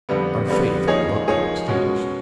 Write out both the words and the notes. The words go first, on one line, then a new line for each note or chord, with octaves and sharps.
Our faith will not be extinguished.
F2 D3 G3 B3
F2 D3 G3 B3
F3 A#3 D#4 G#4 C#5
F3 A#3 D#4 G#4 C#5
B2 G#3 C#4 F#4